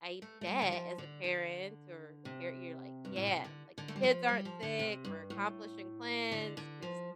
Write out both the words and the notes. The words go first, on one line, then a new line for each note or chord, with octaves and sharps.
I bet, as a parent or you're you're like, "Yeah," like, "kids aren't sick, we're accomplishing plans, 'cause"
A3
A3
G3
D3
F3
D3
D3
C3
G2
A2
C3
D3
D3
A3
G3
F3
G3
F3
D3
C3
G2
A2
D3
D3
F3